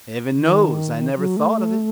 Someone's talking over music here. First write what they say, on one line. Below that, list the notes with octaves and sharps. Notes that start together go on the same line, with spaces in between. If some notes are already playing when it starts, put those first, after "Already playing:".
Heaven knows I never thought of it.
D#3
F#3
A3